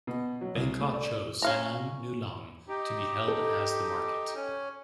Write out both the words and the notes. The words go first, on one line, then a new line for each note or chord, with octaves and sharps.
Bangkok chose Sanam Luang to be held as the market.
B2
F#3
C2
A3
D5
C#4 F5 A#5
D#4 G4
A4
C#4